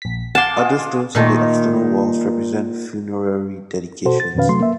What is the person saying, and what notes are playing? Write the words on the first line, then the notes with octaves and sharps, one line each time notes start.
Other stones in the external walls represent funerary dedications.
A#1 B6
F5 F#5 G#5 A5 C6 D6
G#3 F4
A#2 D#3 A3
B2 F#4 A4 C5
A6
F2 B2 D#3 C#4 B4 F5
C3 F#3 A3 C6
A#3 E5